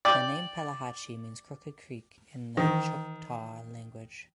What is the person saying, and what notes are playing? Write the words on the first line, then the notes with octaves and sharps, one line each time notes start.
The name Pelahatchie means "Crooked Creek" in the Choctaw language.
D5 G5 D6
D#3 E3